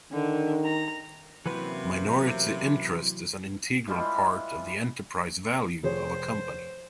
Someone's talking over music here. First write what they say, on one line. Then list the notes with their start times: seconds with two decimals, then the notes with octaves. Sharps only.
Minority interest is an integral part of the enterprise value of a company.
0.13 D3 D#3
0.65 A#5
1.46 C3 E3 F#3 A#3 C#4 E4 B4
3.88 E3 G3 G#3 F4
5.83 F1 G#4 C5 C#5